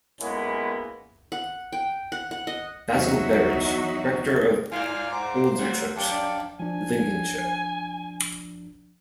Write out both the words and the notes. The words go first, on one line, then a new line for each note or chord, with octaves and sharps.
Basil Berridge, rector of Alderchurch, Lincolnshire.
B1 G#3 A#3 B3 C#4 E4
F#5
G5
F#5
F#5
D#5
E2 F#3 D#4 F#4 E5
G2 G#3 A#3 F4 D5 F5 G#5
C5 F#5 A#5 D6
F#3 G3 A3 C4 F#5
F2 D4 F5 G5 A5
D4 D5
F3 D4 G#5